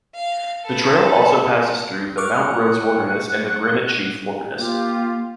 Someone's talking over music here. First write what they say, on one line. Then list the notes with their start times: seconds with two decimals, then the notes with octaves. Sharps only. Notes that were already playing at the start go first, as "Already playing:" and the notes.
The trail also passes through the Mount Rose Wilderness and the Granite Chief Wilderness.
0.15 F5
0.64 A4 B4
2.17 F#5 C#6 D6 F6
4.58 A#3 F4 G4